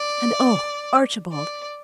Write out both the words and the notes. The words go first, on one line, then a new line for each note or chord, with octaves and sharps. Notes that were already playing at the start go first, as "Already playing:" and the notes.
And, oh, Archibald!
Already playing: D5
D5